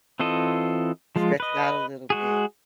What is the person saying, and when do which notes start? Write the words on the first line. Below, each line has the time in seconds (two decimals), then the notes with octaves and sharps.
Stretch it out a little bit.
0.20 E3 C4 F4 A4 D#5
1.16 F3 G#3 F4
1.40 B4 D#5
2.10 G#3 F#4 G#4